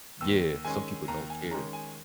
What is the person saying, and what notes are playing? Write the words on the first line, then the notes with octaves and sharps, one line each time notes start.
yeah, some people don't care.
D#2 E6
D#3 G#3 C#4 G#5
D#2 A#5
G#5
D#3 G#3 C#4 A#5
G#5